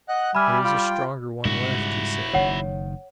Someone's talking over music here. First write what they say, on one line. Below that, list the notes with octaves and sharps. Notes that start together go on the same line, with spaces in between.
"There is a stronger one left!" he said.
D#5 F#5 F#6
G3 E5 G#5 B5 F6
F4 G5
G#2 C#3 G3 E4 F#4
F#1 D#3 C#5 F#5